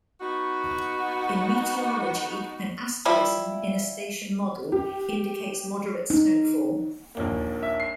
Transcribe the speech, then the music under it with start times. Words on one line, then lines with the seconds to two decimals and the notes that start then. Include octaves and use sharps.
In meteorology, an asterism in a station model indicates moderate snowfall.
0.21 B3 D#4 F#4
3.05 F3 G3 E4
4.72 G4
6.10 D#4
7.15 A#1 D#2 A#3
7.63 E5
7.80 C7